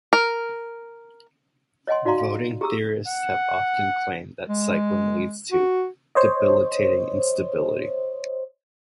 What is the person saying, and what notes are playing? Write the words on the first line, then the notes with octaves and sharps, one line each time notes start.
Voting theorists have often claimed that cycling leads to debilitating instability.
A#4
C#5 D#5 F#5 G#5 C6
D#4 F#4 D5 F5 A#5 C6
F5
G4 G#4 A#5 D#6 E6
F#5
G#3
F#4
C5 C#5 D#5